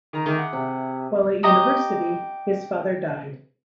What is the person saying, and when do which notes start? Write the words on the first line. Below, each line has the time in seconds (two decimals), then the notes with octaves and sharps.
While at University, his father died.
0.13 D#3 A#5
0.26 D#3 G#4 E5 D6
0.39 F#5
0.53 C3
1.43 G4 D#5 A#5 D#6